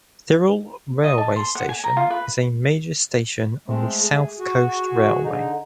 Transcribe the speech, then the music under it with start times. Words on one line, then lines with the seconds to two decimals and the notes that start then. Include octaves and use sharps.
Thirroul railway station is a major station on the South Coast railway.
1.04 D#5
1.18 A5
1.36 C6
1.55 F#5
1.69 G#5
1.84 A#5
1.97 F4
2.10 B4
3.68 G#3 A3 C4
4.02 G#4
4.39 F#4
5.24 D3 D#4